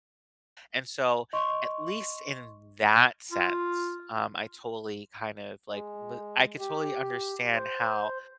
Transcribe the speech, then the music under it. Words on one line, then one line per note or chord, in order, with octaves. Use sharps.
And so at least in that sense, um, I totally kind of, like, li I could totally understand how
D#5 C6 C#6
F4
G#3
G4
C5